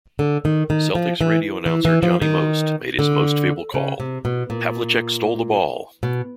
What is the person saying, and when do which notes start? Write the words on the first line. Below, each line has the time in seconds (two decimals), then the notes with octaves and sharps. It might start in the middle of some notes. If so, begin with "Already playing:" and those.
Celtics' radio announcer Johnny Most made his most fabled call: Havlicek stole the ball!
0.19 D3
0.45 D#3
0.70 D#3
0.95 F3
1.21 E3
1.66 E3
1.85 E3
2.03 F3
2.22 D#3
2.99 D3
3.74 C#3
4.00 C3
4.25 B2
4.50 A#2
6.03 B2